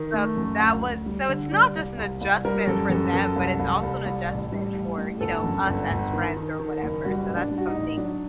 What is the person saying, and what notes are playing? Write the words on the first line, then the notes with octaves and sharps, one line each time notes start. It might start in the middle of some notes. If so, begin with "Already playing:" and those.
So that was so it's not just an adjustment for them, but it's also an adjustment for, you know, us as friends or whatever. So that's something
Already playing: D#3
A3
F#2
D2
D2
G3
D3
G3 D5
C2
C2
C2
G3 A#4
F#2 A4
F#2 A4
F#2 A4
C2
C2
C2
C2
A1
G3
A1
A2
G1 A4
F#2
G1
G1
D#3
D#3
D#3
F#1
G3 F#4
A1
D4
G3
F#4
D#4
A1
F#3 D4